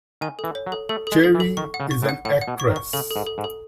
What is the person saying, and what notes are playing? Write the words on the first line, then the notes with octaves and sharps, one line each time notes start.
Cherie is an actress.
D#3 G#5
A4
E3
C#5
F#3
A4
A3 A4
G#3 A4
A4
E3
A4
D#3 C#6
F#5
C#3
C#6
A2
F#5
A2 F#5
F#5
B2
C#6
D#3
C#6
C#3 A4
A4
G#2
A4
G#2
A4